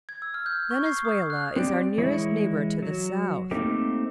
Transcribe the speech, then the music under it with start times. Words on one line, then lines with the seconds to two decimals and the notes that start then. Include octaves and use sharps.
Venezuela is our nearest neighbor to the south.
0.09 G#6
0.22 E6
0.34 F6
0.46 G6
0.71 C#6
0.86 C7
1.05 D#6
1.30 F#6
1.56 C4 G4 C#5 D5
1.98 E3 G#3 E4 C#5
2.82 F#3
3.51 A3 A#3 C4 D#4 G4 A#4